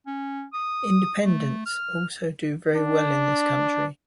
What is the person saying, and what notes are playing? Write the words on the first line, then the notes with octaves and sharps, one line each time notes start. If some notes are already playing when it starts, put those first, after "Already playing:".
Independents also do very well in this county.
C#4
D#6
A3
F6
D4